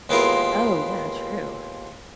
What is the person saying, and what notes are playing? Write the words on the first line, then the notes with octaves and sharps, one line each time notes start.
Oh, yeah. True.
D#2 G#3 B3 E4 F4 A#4